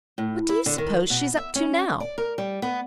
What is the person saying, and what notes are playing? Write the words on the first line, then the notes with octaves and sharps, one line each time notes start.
"What do you suppose she's up to now?"
A2
E4
D3
D#3
B2
E5
C#4
D5
A#4
G3
B3